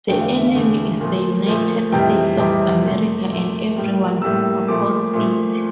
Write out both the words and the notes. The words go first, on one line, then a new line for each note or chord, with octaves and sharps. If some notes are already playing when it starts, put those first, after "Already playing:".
The enemy is the United States of America and everyone who supports it.
E2 D3 A3 G5
F5
E5
F5
E2 D3 A3
A#2 F3 A3
A#2 F3 A3
F2 C3 E3 G3 G5
F2 C3 E3 G3 D6
A#2 A3
A#2 A3
A2 G3 A#3
A2 G3 A#3 E6
A#2 F3 A3 D6
A#2 F3 A3